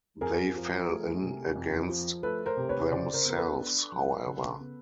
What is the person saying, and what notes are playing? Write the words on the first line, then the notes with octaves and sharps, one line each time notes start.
They fell in against themselves, however.
F2 G#4 A#4
F3
A3
C3
F2
F3
A3 A4 B4
A#4 C5
C3
B4 C#5
C#3 C5 D5
A#4 C5
B3 A#4
A4 B4
D4
F#3
C#3
B3